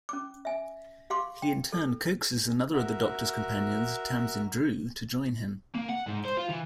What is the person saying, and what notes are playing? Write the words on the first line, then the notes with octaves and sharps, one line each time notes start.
He in turn coaxes another of the Doctor's companions, Tamsin Drew, to join him.
C#4 D6
E5 G#5
G4 F5 C6 D6
G5
A4
F#4 A#4 E5
A#3
F#5
G#2
C5
F4
E3